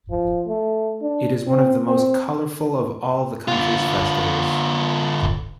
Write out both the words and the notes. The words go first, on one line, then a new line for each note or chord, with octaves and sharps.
It is one of the most colourful of all the country's festivals.
F3
A3
D4
C4
C4
D3 F4